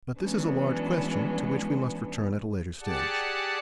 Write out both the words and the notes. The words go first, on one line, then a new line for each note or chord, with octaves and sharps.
But this is a large question, to which we must return at a later stage.
E3 F#3 G#3 B3 C#4 D4
G4 G#4 D5 F#5 A5